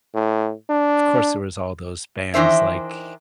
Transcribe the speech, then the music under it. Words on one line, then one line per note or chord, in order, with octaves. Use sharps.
of course, there was all those bands like
A2
D4
D#3 E3 D4 C5 E5